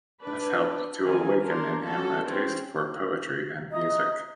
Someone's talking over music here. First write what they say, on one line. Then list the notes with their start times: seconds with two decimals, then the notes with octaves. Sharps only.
This helped to awaken in him a taste for poetry and music.
0.21 D4 B4
1.03 D#3 C4 G#5
1.39 D4 A#4 C6
1.83 C#4 F#4 A4
2.23 E3 C4 C#4
3.71 D#5 E5 A#5 D#6